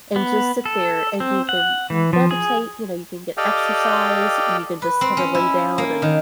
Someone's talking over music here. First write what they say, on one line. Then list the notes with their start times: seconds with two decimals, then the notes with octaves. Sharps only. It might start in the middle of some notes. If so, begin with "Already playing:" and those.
and just sit there, and you can meditate, you know, you can get exercise, you can just kinda lay down, and
0.16 B3
0.66 A4
1.20 C4
1.49 F#5
1.90 E3
2.13 F3
2.31 G#4
3.37 G4 A4 D5 D#5 F5 G5
4.82 B4
5.01 C4
5.17 C#4
5.35 E4
5.78 A#3
6.02 D#3